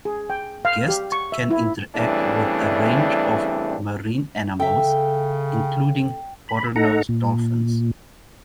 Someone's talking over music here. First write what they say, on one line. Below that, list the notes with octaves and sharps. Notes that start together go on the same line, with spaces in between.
Guests can interact with a range of marine animals including bottlenose dolphins.
G#4
G5
F5
G4
C#6
E5
E4
C#3 E3 G3 A3 C4 D4
C#3 A4 E5 G5
B5
D#4 A4 F#5 A#5
A#2